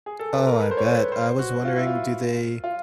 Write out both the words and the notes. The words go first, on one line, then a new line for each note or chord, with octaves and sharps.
Oh, I bet, I was wondering, do they,
G#4
A4
B4
A#4
B4
C5
C#5
B4
C5
F#4
F4
E4
F4
F4